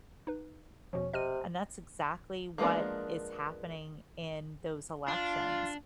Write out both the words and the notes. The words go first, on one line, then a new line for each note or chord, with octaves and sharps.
And that's exactly what is happening in those elections.
D#4 B4
E2 B2 F3 C#4
C3 D#5 F6 D#7
F3 G#3 A#3 B3 D4
D4 F4